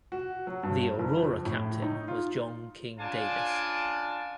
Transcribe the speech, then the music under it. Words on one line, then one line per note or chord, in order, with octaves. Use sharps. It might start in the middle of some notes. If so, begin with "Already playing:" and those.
The "Aurora" captain was John King Davis.
F#4
F#3
G2
F#1
F2
A2
D#4
F4
C#3 D4 F4 G#5 A5